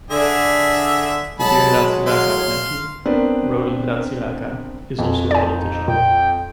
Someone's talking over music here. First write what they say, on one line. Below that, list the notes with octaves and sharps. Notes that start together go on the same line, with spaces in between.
Didier Ratsiraka's nephew, Roland Ratsiraka, is also a politician.
D3 G#4 E5
F#3 G#3 A4 A5 B5
F5 C6
B3 C4 D4 A#4 B4
F2 G#3
D#4 D5 G#5
A#2 G5